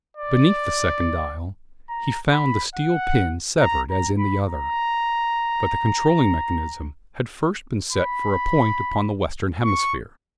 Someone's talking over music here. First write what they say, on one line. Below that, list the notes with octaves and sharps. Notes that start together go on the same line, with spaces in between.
Beneath the second dial he found the steel pin severed as in the other, but the controlling mechanism had first been set for a point upon the western hemisphere.
D5
A#5
B5
F#5
A#5
A#5
B5
A#5
B5
C#6